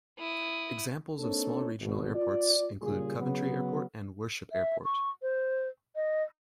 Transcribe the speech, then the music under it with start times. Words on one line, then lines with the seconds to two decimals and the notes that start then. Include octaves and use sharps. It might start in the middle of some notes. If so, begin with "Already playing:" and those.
Examples of small regional airports include Coventry Airport and Worship Airport.
0.18 E4 D#6
1.19 A#3 C4 D4 D#4 A4 C#5
1.80 G#1 B2
2.15 F4 D5
2.81 A#2 C#3 G3 F4 G#4
3.17 C#3 F#3 B3
4.52 E5
4.85 C#6
5.22 C5
5.96 D#5